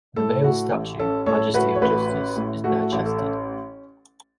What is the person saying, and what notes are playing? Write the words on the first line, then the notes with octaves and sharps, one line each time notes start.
The male statue, "Majesty of Justice," is bare-chested.
A2 A4
A3 F#4
A1
C#4 A4
A2 A4 C#5
A3 F#4 B4
C#5
A1 F#4 B4
C#4
A2
A3 F#4
A1
A4
C#4